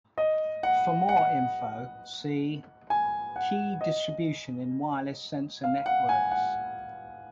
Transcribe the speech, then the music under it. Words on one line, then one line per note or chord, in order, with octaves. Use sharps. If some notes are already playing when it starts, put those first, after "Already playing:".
For more info see: key distribution in wireless sensor networks.
D#5
F#5
F#5
G#5
F#5
D#5
F5
F#5
G#5
F#5